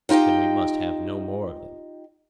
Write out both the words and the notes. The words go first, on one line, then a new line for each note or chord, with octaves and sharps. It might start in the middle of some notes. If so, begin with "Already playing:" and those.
Then we must have no more of them.
D#4 F4 G4 D#5 G5